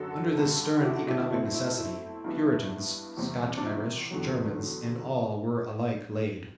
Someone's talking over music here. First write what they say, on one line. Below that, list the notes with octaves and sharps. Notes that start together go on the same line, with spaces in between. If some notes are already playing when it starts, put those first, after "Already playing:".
Under this stern economic necessity, Puritans, Scotch-Irish, Germans, and all were alike laid.
Already playing: F#2 D3 F#3 F#4 A4
G2 D3 G3
F#4
E4 G4
F#4 A4
E4 G4
E4
B2 A3 C4 E4
E4
E4
G2 E3 G3 B3
E2 C3 G3 C4
D4
E4
E2 D3 F#3